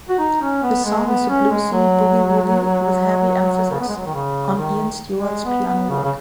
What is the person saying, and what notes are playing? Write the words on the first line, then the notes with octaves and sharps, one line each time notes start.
The song is a bluesy boogie-woogie, with heavy emphasis on Ian Stewart's piano work.
F#4
D#4
C#4
B3
G#3
B3
C#4
G#3
F#3
C#3
B3
G#3
F#3
D#3
C#3
D#3
G#3
B3
B3
C#3
C#3